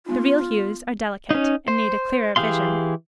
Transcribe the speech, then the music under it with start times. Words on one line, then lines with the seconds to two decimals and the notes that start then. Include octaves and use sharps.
The real hues are delicate, and need a clearer vision.
0.06 G#3 B3 D#4 F4
1.31 C#4 D#4
1.68 C5
2.36 E3 G4 G#4 F5 C6